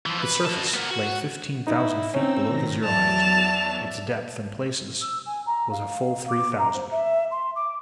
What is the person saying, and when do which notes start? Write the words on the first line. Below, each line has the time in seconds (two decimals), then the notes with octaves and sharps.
Its surface lay fifteen thousand feet below the zero-height; its depth in places was a full three thousand.
0.06 E3 F3
0.22 B4
0.46 F#4 A5
0.74 B3 A#4
0.91 F#4
1.67 D#4 E4
2.14 C4 C#4 D#4 E6
2.46 A2 D#3 A#6
2.83 E2 F#3 D5 E5 A5 F7
5.01 E6
5.25 G#5
5.46 A#5
5.71 F5
6.28 D6
6.58 A#5
6.74 C5
6.91 E5
7.31 C6
7.55 D6